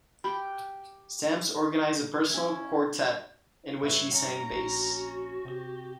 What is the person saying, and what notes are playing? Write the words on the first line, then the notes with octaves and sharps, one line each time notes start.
Stamps organized a personal quartet in which he sang bass.
G4 B5
C#4 E4
G2 B4 C#5 E5
C#4 A#5
A#1 F#4
C3 G4